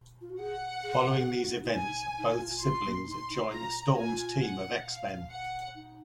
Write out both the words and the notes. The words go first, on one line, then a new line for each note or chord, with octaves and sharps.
Following these events, both siblings join Storm's team of X-Men.
F4
F#4
G#4 F#5
G#4
A#4
G#4
F#4
F#4
F#4
D#4
D#4 G#5
D#4
F4
F4 C6
A#3
D#4 C6
D#4
F4 A#5
F4 G#5
F#5
F5
F#5
D#4